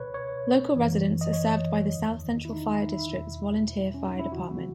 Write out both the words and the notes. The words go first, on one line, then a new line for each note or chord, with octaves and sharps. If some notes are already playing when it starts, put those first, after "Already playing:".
Local residents are served by the South Central Fire District's volunteer fire department.
Already playing: C#2 B2 B4 C#5
C#5
G#1 F#2 E3
D#5
C#5
E2 D#3
E4
D#4
E4
E4
E2 B2
C#4
D#4
E4
D#2 C#3 E3 F#4